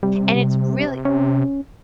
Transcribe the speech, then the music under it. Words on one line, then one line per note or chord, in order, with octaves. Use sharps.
and it's really
C3 G3
C3
C#4